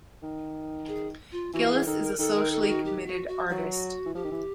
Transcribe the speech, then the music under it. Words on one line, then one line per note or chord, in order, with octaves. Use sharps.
Gillis is a socially committed artist.
D#3
G#4
F4
E3 F#4
E3 G#4
D#3 A4
A#4
D#3 A4
A#4
A4
G4
F#4
G4
F#4
F#4
F#3 F#4
F4
F#4
E3
F3 G4
D#3
E3